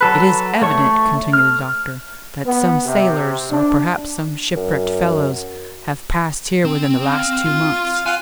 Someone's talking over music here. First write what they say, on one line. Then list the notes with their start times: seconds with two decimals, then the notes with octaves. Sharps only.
"It is evident," continued the doctor, "that some sailors, or perhaps some shipwrecked fellows, have passed here within the last two months."
0.01 F#3 A4 B4
0.62 A3 C#5 C#6
1.33 F6
2.47 B3
2.86 C3
3.52 D4
4.57 F#2
6.65 C4
7.07 F5
7.46 F4
8.06 F4 F#5 G#5